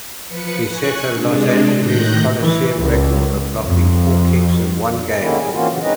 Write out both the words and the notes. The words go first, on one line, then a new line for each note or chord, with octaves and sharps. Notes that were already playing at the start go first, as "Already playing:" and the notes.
He set a Los Angeles Coliseum record of blocking four kicks in one game.
F3 B4 C#7
G#5 C#6 F#6
C3 G#3 D4
A2 D#3 F#6 G6 A#6
E3
C#2
F2
D3 D#3 G#3 A#3 C#4 E4
A2 G3 G#4 G#5
E3 A#3 C4 C#4 F4 F#4
A#2 C#3 E3 F#3
G#3 C4 C#4 D#4 B4 D#5